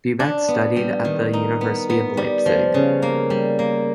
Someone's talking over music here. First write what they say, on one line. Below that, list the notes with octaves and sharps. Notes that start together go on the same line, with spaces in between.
Buback studied at the University of Leipzig.
D4
B3
G3
D#3
D#4
B3
B3
G3
F3
C#3
A#3
G3
A#3